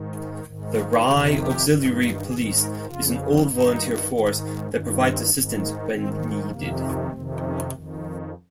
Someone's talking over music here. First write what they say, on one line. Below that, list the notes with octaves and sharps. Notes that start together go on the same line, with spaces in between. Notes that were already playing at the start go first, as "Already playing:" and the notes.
The Rye Auxiliary Police is an all-volunteer force that provides assistance when needed.
Already playing: G#2 D#3
G#2 D#3
F4
F2 C3 D#3 G4
G4
G2 D#3
G#2 D#3 G#4
A#4
F2 C#3 F4
G2 D#3 D#4
G#2 D#3
G2 D#3 C#4
C4
G#2 D#3
A#3
G#2 D#3 C4
F2 C3 D#3 A#3
F2 C3 D#3 C4
C#4
F2 D#3